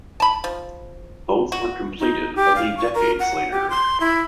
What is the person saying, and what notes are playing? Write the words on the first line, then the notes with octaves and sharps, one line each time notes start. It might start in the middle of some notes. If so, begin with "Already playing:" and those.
Both were completed only decades later.
A5 B5
F3
F#4
D#4
G4
F5
C#6
A#4
F#5
G4
C6
E4